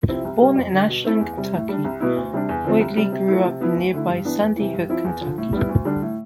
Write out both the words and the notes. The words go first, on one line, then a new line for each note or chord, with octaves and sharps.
Born in Ashland, Kentucky, Whitley grew up in nearby Sandy Hook, Kentucky.
C3 F3 C4 E4
C2
C3 G3
F2
D3 G3
B2
A3 C4 E4
E2
C3 G3
A2
G3 D4
C2
B2 B3 E4
D2
C3 G3 D4
E2
D3 F3 C4
C2
C3 G3
C3
F3 A3 E4
C3
F3 B3 E4
D2
D3 A3 E4
G2
E3 B3 D4
E2
C3 E3
G2
F3 C4 E4
E2
D3 F3
A2
G3 B3 E4
D2
D3 G3 D4
A2